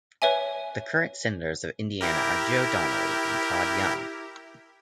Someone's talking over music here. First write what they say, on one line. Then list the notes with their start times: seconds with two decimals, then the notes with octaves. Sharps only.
The current senators of Indiana are Joe Donnelly and Todd Young.
0.22 B4 C#5 E5 G#5
2.01 E4 G4 A#4